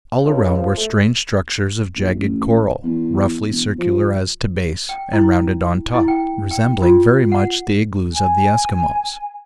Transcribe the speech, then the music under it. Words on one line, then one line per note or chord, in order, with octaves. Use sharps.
All around were strange structures of jagged coral, roughly circular as to base, and rounded on top, resembling very much the igloos of the Eskimos.
C#2
F3
A3
A#1
A1
E2
E1
F3
G5
E4
E4
G5
G5
F4
F#5
G#5